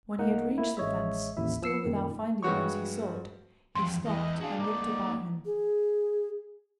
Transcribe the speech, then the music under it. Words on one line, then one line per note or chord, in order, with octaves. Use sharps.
When he had reached the fence, still without finding those he sought, he stopped and looked about him.
C2 A#3 D#4 F#5
A3 A#3 E4
A1 G#3 C#5 D#5 E5
A1 D#2 E4 E5
F3 E6 C7 C#7
F#2 A#2 D#3
G2 G#3 B3 F#4 C#5 C#6
E2 F3 C6
E2 E3 D#5
D4 F#4 G#4 F5
A#3 C4 D#4 D5
G#4